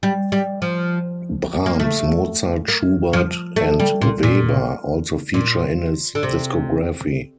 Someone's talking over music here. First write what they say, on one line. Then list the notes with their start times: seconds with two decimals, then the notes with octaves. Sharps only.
Brahms, Mozart, Schubert and Weber also feature in his discography.
0.03 G3
0.32 G3
0.62 F3
1.66 A#3
1.80 A3
2.68 A#3
3.13 F3
3.56 A3
3.79 G3
4.01 A#2
4.23 A#2
5.34 A#2
6.15 D3
6.23 C3